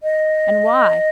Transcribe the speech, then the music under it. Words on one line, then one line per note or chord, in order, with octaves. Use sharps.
And why?
D#5